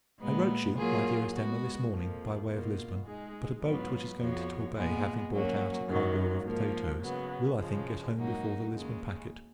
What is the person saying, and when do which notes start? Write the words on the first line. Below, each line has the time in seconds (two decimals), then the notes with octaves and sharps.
I wrote you, my Dearest Emma, this morning, by way of Lisbon; but a boat, which is going to Torbay, having brought out a cargo of potatoes, will I think get home before the Lisbon packet.
0.21 A#2 G#3 B3
0.78 F#3 A#3 F4 G#4
1.34 G#3 B3 F#4
1.91 F2 F3 A#3
2.48 B2 A#3 F4
3.05 G#3 D#4 G#4
3.62 G#2 F#3 B3 F4 B4
4.19 F2 F3 B3 F#4 C#5
4.75 A#2 G#3 B3
5.32 F#3 A#3 C#4 F#4
5.89 F#2 D#3 F#3
6.45 G#2 F3 A#3
7.03 C#3 F#3 B3
7.59 C#3 F3 G#3
8.16 G#2 F#3 A#3 D#4 F#4
8.73 D#2 C#3 G#3